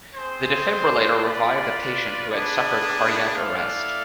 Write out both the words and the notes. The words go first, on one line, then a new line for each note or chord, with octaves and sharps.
The Defibrillator revived the patient who had suffered cardiac arrest.
C4 G#4 C5
F4 B4 D5
B3 D4 G#4 B4 D5
A3 E4 A4 D5 F5